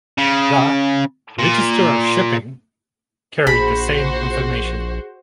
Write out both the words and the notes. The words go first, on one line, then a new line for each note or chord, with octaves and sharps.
The "Register of Shipping" carried the same information.
C#3
A#2
A#1 F#4 G#4 C5 B5